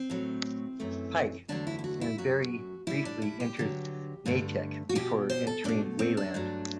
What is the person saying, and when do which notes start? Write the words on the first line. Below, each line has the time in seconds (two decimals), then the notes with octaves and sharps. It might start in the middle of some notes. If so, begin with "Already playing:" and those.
Pike, and very briefly entering Natick before entering Wayland.
Already playing: C4
0.10 A2 F#3 A3
0.80 F#2 E3 A3
1.48 E2 D3 F#3 A3 D4
1.67 E4
1.79 E4
1.84 F#4
2.01 E4
2.18 F#2 F#3 A3 F#4
2.87 A2 G3 E4
3.05 D4
3.22 E4
3.40 G4
3.57 G2 D3 F#3
4.26 G2 D3 A3
4.89 F#4
4.95 B2 G3 G4
5.30 C5
5.47 A4
5.64 B2 A3 D4
5.99 C4
6.17 D4
6.34 G2 F#3 A3